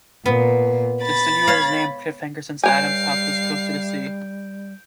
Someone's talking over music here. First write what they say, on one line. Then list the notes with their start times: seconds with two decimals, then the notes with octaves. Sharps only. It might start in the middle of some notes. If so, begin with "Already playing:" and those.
The studio was named Cliffhanger since Adams' house was close to the sea.
0.26 A#2 B3
1.03 B5 A6
1.47 C#5 F5
2.63 G3 B4 C#5 F5 G#5 G6 C7 D7